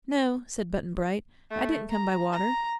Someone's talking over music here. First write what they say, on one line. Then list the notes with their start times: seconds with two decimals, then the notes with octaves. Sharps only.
"No," said Button-Bright; "I didn't come by water."
1.50 A3
1.90 A#5
2.32 A#5